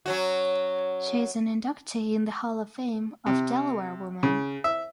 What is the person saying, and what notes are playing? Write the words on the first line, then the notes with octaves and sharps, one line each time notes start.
She is an inductee in the Hall of Fame of Delaware Women.
F#3 C#4 F#4
C3
C#3
E5